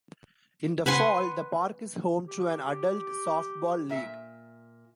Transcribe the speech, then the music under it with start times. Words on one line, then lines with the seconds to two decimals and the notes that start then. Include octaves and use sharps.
In the fall the park is home to an adult softball league.
0.86 B4 F#5 G#5 C6
2.27 G4
3.90 A#2 E5